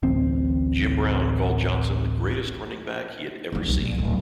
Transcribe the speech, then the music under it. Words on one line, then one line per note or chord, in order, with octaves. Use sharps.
Jim Brown called Johnson the greatest running back he had ever seen.
D1 A1 C4
D2 D3
C2
A#1
D1 B3